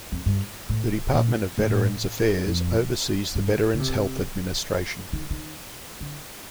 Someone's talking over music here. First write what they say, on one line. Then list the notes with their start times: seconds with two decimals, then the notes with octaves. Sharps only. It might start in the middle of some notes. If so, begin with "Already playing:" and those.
The Department of Veterans Affairs oversees the Veterans Health Administration.
0.12 F2
0.26 G2
0.69 A2
1.13 A#2
1.58 A2
2.46 F2
3.35 G2
3.74 D3
3.80 C3
5.13 D#3
5.30 D#3
6.00 D3